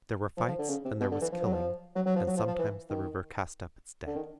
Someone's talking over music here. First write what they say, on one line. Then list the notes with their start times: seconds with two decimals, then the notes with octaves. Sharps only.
There were fights and there was killing, and sometimes the river cast up its dead.
0.37 F3
0.47 F3
0.58 D3
0.69 C#3
0.85 C3
1.00 B2
1.11 D3
1.21 E3
1.32 F3
1.43 F#3
1.53 F3
1.95 F#3
2.06 F#3
2.16 F3
2.27 F#3
2.37 F3
2.47 F3
2.58 E3
2.89 D#3
4.06 D3
4.16 D#3